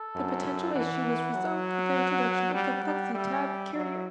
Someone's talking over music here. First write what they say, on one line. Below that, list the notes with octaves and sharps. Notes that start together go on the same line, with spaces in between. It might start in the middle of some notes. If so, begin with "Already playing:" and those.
The potential issue was resolved with the introduction of the "Flexi Tab" carrier.
Already playing: A4
F#2
E3 F#5
F#3
F#5
G3
G3
G3 E5
F#3